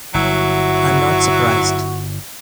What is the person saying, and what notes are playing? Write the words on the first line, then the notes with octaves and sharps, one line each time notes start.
I’m not surprised!
G1 F#3 E4 F#4